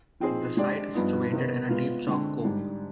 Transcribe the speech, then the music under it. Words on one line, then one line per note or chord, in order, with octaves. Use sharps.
The site is situated in a deep chalk combe.
F3 C4 D#4 G#4 C5
G#3 D4 G4 D5
G2 F3 B3 D#4
C3 D#3 B3 D#4
G#3 B3 F4
D3 G#3 C4
G#2 G3 D4